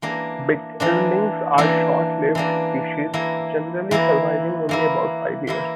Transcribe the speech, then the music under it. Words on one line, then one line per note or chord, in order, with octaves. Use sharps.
Bitterlings are short-lived species, generally surviving only about five years.
E3 A#3 D4
E3 A#3 D4
E3 A#3 D4
E3 A#3 D4
E3 A#3 E4
E3 A#3 E4
E3 A#3 E4
E3 A#3 E4